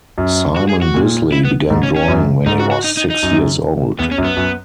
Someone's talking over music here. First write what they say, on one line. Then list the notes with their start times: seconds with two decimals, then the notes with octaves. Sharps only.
Simon Bisley began drawing when he was six years old.
0.18 F#2
0.56 F#4
0.69 G#4
0.82 F#4
0.94 A#2
1.32 E4
1.45 B3
1.70 G#2
1.83 C#4
1.96 C#4
2.08 F#2
2.46 G#2 D#4
2.60 F#4
2.71 F#4
2.84 D#4
2.97 D#4
3.10 D#4
3.23 F#2
3.99 E2 B3
4.11 C#4
4.18 F#2
4.24 B3
4.37 F#2